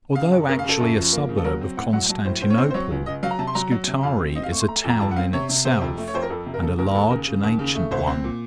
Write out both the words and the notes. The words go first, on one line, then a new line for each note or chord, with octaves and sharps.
Although actually a suburb of Constantinople, Scutari is a town in itself, and a large and ancient one.
C#3 F5
F#2
C#3 A#4
F5
C#3 A4
F#2
F3
A#3
C#3
A4
F#3 A#4
C4
A2 F#5
F#3 F#5
F#3 A5
A2 C5
A2 C5
C#5
C4 C5
C5
F#3 C#5
C#2
C#2 D#5
F#3 F5
A#5
C3 A5
C6
F#3 A#5
F#3
C3
F2 F5
C4
C4 D#5
F5
A3 C#6
C6
A3 A#5
F2
A#5
F2 A5
F#5
C4 F5
C3 C#5
C3
C3 C5
F2
A3
C#5
F2 C5
A#4
F2 A4
C3
A#4
C#3 A4
D#2 A#4
A#4
D#2 A4
C#3 A#4
C#3
D#2
C#3
A3
C2 C5
C4
A#2